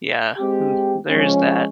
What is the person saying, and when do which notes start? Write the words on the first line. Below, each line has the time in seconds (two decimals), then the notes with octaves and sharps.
Yeah, hmm, there's that.
0.38 G#3 C4 G4
1.10 F3 G#3 C#4